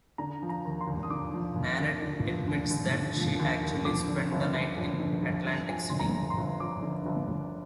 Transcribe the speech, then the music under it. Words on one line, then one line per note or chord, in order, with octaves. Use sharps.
Nanette admits that she actually spent the night in Atlantic City.
D3 A#5
F3
A#5
D#2
C6
D#2
D#6
D3 D6
F3
D#2
D#2
D3
F3
D#2
D#2
D3
F3
D#2
D#2
F2 D6
D3
G1
G1
F2
D3
G1
G1
F2 G#5
D3 C6
A#5
G1
C6
G1
F2 D6
D3
G1
G1